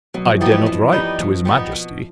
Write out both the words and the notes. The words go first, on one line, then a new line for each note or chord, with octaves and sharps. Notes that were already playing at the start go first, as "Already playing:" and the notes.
"I dare not write to his majesty."
B2 F#3
F3
E3 G3 B3 D#4
F3
B2
G3 B3 D#4
B2 F3
G3 B3 D#4
B2